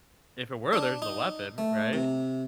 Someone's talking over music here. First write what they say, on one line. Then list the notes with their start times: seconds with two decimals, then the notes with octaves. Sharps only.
"if it were, there's the weapon," right?
0.73 D4
1.02 D#4
1.58 A3
1.93 C3